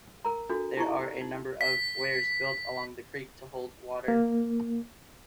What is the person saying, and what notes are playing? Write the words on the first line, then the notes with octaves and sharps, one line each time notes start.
There are a number of weirs built along the creek to hold water.
A#4 A#5
D4 F#4 A4
D#4 E4 G4 A#5 C#6
D#4
B6
A#3